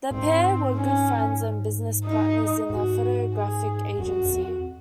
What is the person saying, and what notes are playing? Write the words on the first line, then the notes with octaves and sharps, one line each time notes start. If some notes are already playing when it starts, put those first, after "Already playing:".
The pair were good friends and business partners in a photographic agency.
G#2 C4
C#4
D#4
G#2 F#4
G#4
F#2 F#4
F#2
F2